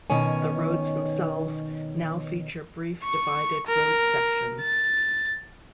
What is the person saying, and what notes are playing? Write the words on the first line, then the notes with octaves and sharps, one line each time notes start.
The roads themselves now feature brief divided road sections.
B2 D#3 C#4 C#5 G#5
C#6
A#4
A6